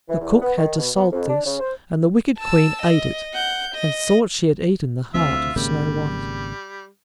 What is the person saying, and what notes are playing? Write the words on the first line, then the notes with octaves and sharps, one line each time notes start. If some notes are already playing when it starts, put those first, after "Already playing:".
The cook had to salt this, and the wicked Queen ate it, and thought she had eaten the heart of Snow-white.
E3
E2
B3
D#3
B2
B3
F2
D4
C#3
C5
A5 E6
D#5
F#5 G6
D#5
D2 C4 F4 E5
G#1 C#3 G3 A#3